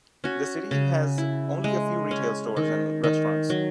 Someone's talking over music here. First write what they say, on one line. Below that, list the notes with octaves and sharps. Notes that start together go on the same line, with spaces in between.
The city has only a few retail stores and restaurants.
C#4 F#4
C#3
E4
G#3
C#4
D#3
D#3
F#3